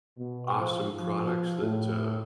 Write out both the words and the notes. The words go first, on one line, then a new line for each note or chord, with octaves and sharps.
awesome products that, uh,
B2
F3
F3
A2